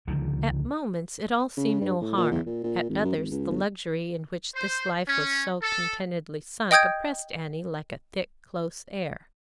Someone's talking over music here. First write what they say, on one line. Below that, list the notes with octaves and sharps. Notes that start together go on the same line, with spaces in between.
At moments it all seemed no harm; at others, the luxury in which this life was so contentedly sunk oppressed Annie like a thick, close air.
C#2 D3 D#3 F3
C#3
G2
A2
A#2
E2
A#2
A#2
G#1
F#2
G#1
C#2
G1
C5
C#4
A4
D#5 G5 D#6 G6 G#6 D7